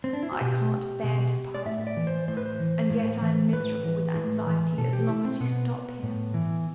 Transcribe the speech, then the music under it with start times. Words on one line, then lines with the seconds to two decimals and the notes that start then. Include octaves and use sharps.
'I can't bear to part with you, and yet I am miserable with anxiety as long as you stop here.'
0.04 C4
0.13 D4
0.23 E4
0.32 F#4
0.41 B2 G4
1.04 B2
1.54 D5
1.66 A2 E5
1.87 D5
1.97 E3
2.07 C5
2.28 A2 C5
2.37 B4
2.46 C5
2.60 E3
2.90 A2
3.22 E3
3.53 A2 B4
3.84 E3
4.15 A2
4.46 E3
4.78 B2 A4
4.93 G4
5.09 E4
5.25 C4
5.40 B2 B3
6.03 A2
6.34 E3